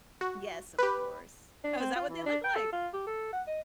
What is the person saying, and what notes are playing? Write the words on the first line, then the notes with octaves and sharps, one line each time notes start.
Yes, of course. Oh, is that what they look like?
F#4
G4 B4
D4
C4
F4
E3
D4
G5
A4
F4
G4
A4
F#5
D#5